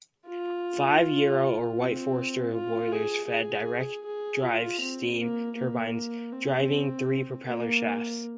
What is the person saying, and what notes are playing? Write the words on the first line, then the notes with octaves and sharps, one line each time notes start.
Five Yarrow or White-Forster boilers fed direct-drive steam turbines driving three propeller shafts.
F4
C4
F4
G#4
G#4
G#4
F4
C4
A#3
A#3
C4
A#3